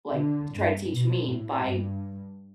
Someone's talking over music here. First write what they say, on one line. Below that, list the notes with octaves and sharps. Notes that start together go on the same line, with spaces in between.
like to try to teach me by
D3
G2
B2
A2
G2